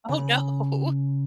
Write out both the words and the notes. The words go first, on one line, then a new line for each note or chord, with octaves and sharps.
Oh, no.
C#3